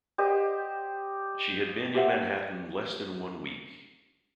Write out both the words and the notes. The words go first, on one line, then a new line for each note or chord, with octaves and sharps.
She had been in Manhattan less than one week.
G4 C5 D#5
G4 C5 E5 F#5